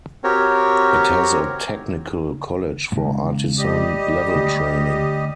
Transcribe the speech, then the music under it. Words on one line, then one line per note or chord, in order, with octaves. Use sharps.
It has a technical college for artisan level training.
C4 F#4 G4 A#4 C#5
C#2 G2
G3 G4 D#5
D2